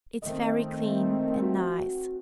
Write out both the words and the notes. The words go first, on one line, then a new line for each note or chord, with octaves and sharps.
"It's very clean and nice."
D#3 A3 C4 D#5
F#4